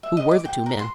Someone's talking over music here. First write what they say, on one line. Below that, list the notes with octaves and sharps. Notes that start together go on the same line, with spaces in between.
"Who were the two men?"
E5
D#5
D6
G5
A#4
C6